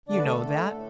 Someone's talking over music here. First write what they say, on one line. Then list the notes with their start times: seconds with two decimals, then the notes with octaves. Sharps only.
You know that.
0.09 D3 A3 D4 D5
0.18 B4
0.24 A3 A4
0.40 D3 A3
0.71 A2 A3